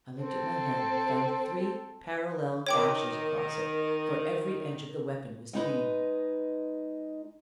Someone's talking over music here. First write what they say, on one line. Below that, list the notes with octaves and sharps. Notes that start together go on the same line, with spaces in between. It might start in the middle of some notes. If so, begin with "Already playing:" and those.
I looked at my hand, and found three parallel gashes across it, for every edge of the weapon was keen.
C4 A4
D#3 A#4 C#5 G5 D6
G#3 D#4 B4 D#5